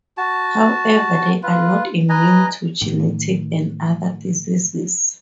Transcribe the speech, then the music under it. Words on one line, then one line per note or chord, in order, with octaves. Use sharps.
However they are not immune to genetic and other diseases.
F#4 A5
F4 B4
B4 D#5 G#5 A#5
A2 D#3